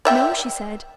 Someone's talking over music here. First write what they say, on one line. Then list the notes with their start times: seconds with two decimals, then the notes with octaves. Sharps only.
"No," she said.
0.05 D5 E5 G5